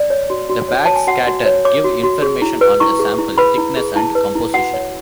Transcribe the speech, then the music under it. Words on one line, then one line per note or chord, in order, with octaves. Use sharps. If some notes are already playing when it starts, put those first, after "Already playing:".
The backscatter give information on the sample thickness and composition.
Already playing: D5
C#5
F#4
F#4
C#5
C#5 A5
G#5
F#4 F#5
F#4
C#5
C#5 D6
F#4
F#4
G#4
E4
B4
E4 C#6
G#4
E4
B4 B5
E4
G#4
E4 A5
B4
E4
F#4 F#5
C#5